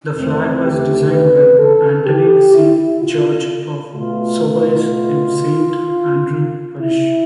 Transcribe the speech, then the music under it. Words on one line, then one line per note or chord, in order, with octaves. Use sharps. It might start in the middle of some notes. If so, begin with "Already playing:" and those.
The flag was designed by Anthony C. George of Soubise in Saint Andrew Parish.
E2 C3 E3 A3 C4
G4
B4
A4
G4
E4
F4
B2 A3 F4
F4
E4